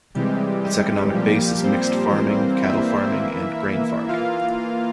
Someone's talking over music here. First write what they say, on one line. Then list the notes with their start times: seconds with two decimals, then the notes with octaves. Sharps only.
Its economic base is mixed farming, cattle farming, and grain farming.
0.15 C3 E3 G3 G#3 G4
0.64 G3 G4
1.13 A#2 F3 G3 A#3 G4
1.63 C4 C5
2.12 E3 G3 A#3
2.61 E4 E5
3.10 E3 A#3
4.08 E3 A#3 F4 F5